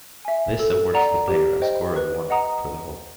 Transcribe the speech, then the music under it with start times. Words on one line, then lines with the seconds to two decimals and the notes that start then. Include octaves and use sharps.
This awards the player a score of one for the hole.
0.25 E5 G#5
0.59 A4
0.94 D5 F#5 A#5
1.28 G4
1.62 C5 D#5 G5
1.96 B4
2.30 D#5 F#5 A#5 D#6